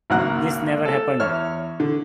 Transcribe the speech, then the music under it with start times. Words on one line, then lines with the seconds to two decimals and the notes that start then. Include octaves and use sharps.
This never happened.
0.10 G#1 C#2 F#3 A#3 F#5 F#6
0.85 A4
1.20 E2 C#5 F6
1.80 D3